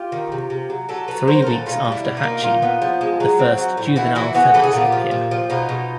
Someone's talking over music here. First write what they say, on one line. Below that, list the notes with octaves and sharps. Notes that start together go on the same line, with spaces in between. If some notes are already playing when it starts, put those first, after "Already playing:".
Three weeks after hatching, the first juvenile feathers appear.
Already playing: F4 G4
D#3
C3
C3
F#3
F#3 G4 A4
F#3 A4 B4
F#3 A#4 C5
A#4
A#2 A4 B4
B2 D#4 F4
G3
D4 E4
B2
D#4 F4
A#3
A#2 D#4 F4
B3
F3
G#3
F#3
C4
F#3
A2
E3 E4 F#4
E3 E4 F#4
B3 F#4 G#4
E3 A4 B4
G#4
A#2 F4 G4
F3
A#2
F3
B2 D#4 F4
B2